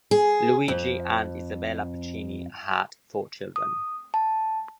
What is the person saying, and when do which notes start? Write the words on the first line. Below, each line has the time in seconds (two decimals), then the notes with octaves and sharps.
Luigi and Isabella Pacini had four children.
0.11 G#4
0.68 F2
3.56 D#6
4.14 A5